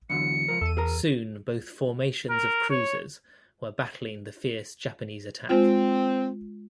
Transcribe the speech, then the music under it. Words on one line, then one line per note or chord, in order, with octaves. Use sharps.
Soon both formations of cruisers were battling the fierce Japanese attack.
E2 D3 F#3 C#7
C#2 F3 A#4
E2 A4 D#7
G#4 A#4 A#5
A#4
C#5
G#3 C4 F4